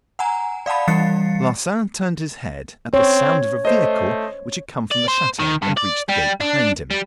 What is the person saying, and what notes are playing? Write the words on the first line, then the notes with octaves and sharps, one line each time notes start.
Larsan turned his head at the sound of a vehicle which had come from the chateau and reached the gate behind him.
F#5 G#5 A#5
D5 F5 F#5 A5 B5
E3 G3 F5 A6 C7 C#7
C4 C#5
A3 C5 D#5
D5
C5
D#3
G2
D5
G3
D4
G3